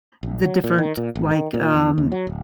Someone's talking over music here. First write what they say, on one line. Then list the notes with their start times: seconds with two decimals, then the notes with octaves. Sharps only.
the different, like, um
0.23 A#1
0.45 F#3
0.64 A#2
0.78 D#3
0.97 A#2
1.15 G#1
1.31 D#3
1.54 A#2
1.74 E2
1.98 D#2
2.12 F#3
2.27 D1